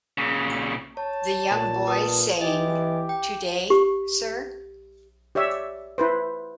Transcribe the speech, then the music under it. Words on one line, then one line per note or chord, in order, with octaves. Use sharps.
The young boy saying, Today, sir?
A#2 C#3
C#5 A5
A#2
B4 D#6
E3 G4 D#5 G#5
G5
G4
G4 C#5 D5 E5
E4 B4 C5